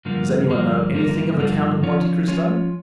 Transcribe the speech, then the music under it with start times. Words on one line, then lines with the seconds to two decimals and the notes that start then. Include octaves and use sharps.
"Does any one know anything of a Count of Monte Cristo?"
0.05 G2 D3 F3 A#3
0.50 G2 D3 F3 A#3
0.94 G2 D3 F3 A#3
1.39 G2 D3 F3 A#3
1.83 F3 C#4 F4 C#5
2.27 F3 C#4 F4 C#5